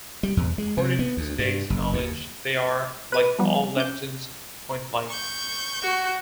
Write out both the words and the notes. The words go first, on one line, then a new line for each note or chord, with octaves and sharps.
According to today's knowledge they are, like all leptons, point-like.
G3
E2
G#3
C3
B3
D2
G2
F#1
D#2
B4 B5 D#7
F3 G3 B3
C#4 D6 G6
C#6 G6
F#4